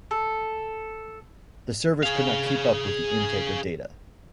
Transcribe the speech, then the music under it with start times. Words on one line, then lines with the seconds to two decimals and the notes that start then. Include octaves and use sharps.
The servers could not keep up with the intake of data.
0.11 A4
2.03 G#4 F5